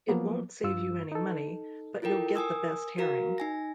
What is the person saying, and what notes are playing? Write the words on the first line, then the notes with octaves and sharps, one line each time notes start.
It won't save you any money: but you'll get the best herring.
F3 F#3 A#3 B3
G2 F4 E6
D#4 A4
E4 F4 A4 A#4 G5
A#4 G#5 D#6 E6
F#4 A#4 F5 A#5
D#4 G#5 A#6